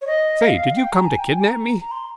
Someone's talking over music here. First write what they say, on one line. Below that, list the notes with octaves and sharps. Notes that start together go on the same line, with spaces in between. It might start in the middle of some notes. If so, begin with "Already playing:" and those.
"Say, did you come to kidnap me?"
C#5
D#5
F5
G5
A#5
G#5
G5
G#5
A#5
A#5
C6